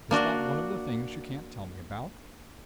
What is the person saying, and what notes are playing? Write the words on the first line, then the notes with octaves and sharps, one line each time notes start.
"Is that one of the things you can't tell me about?"
A#3 D4 F#4